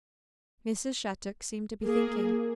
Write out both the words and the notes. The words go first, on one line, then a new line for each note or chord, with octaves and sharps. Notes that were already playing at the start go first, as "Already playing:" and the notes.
Mrs. Shattuck seemed to be thinking.
A#3 G#4 A#4